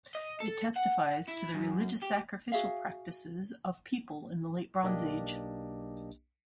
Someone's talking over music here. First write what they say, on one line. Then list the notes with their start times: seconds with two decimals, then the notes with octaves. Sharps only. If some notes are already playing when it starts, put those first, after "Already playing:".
It testifies to the religious sacrificial practices of people in the late Bronze Age.
0.15 D#5
0.40 A4
0.76 F#5
1.28 E4
1.55 F#2
2.02 G4
2.52 F#4 G#4 E5 F5
4.83 B1 A#3 D4 G4 D#5